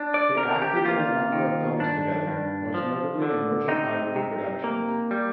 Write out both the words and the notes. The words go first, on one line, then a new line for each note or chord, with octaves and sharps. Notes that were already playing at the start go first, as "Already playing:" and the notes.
They acted in a number of films together, most notably in Merchant Ivory productions.
Already playing: D4
D5
C3 A#4
G4
G4
A#3 F4
D#3
G2 D4
G2
F3
D3
C3 D#4
C3
A#3
G3